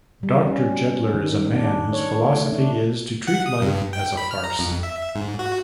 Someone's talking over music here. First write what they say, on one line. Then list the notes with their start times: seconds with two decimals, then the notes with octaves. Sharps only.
Doctor Jeddler is a man whose philosophy is to treat life as a farce.
0.23 G3
0.47 C#4
1.14 D#3
1.53 D4
1.93 C#5
2.34 A3
2.52 D4
3.27 F#5
3.46 D#6
3.62 G2
3.93 G5
4.17 B5
4.31 F6
4.44 A#5
4.59 F2
4.83 E5
5.15 G#2
5.39 F#4